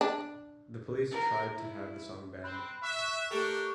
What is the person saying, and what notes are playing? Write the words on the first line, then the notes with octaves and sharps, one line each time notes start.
The police tried to have the song banned.
D4
A#4
E4
C4 B5 F#6
E5 C#6
A3 D4 G4 A4 A#4 G5